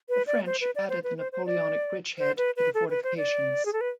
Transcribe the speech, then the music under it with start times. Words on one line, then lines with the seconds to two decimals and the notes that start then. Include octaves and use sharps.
The French added the Napoleonic bridge head to the fortifications.
0.09 B4
0.27 D5
0.46 C5
0.61 B4
0.75 D5
0.89 C5
1.04 B4
1.18 C5
1.32 C5
1.46 D5
2.18 C5
2.37 B4
2.57 B4
2.75 A4
2.90 B4
3.04 C5
3.17 D5
3.66 G#4
3.73 A4
3.81 B4